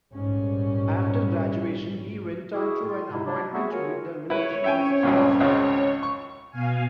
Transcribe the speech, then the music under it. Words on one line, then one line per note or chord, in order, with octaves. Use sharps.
After graduation, he went on to an appointment with the Military Ministry Office.
A#1 G#2 G3 C#4
E4 F#4 G#4
A2 F4
G#2 C3 G#3 D#4 E4
F#3 D4 E4
A3 B3 C4 F#4 G#4 E5
F4 F#4 G#4 A#4 C#5 G#5
E4 B4 C#5
F#2 C4 C#4 E5 G5 G#5
C#2 G2 A#2
G#1 C#2 C#3
C#6
B2 F5 G#5